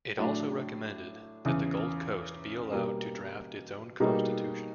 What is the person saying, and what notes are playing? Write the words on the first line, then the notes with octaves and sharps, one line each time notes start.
It also recommended that the Gold Coast be allowed to draft its own constitution.
A2 F#3 A3 D4
E2 C#3 E3
B2 G3 A#3
B2 G3 A#3 D#4 G#4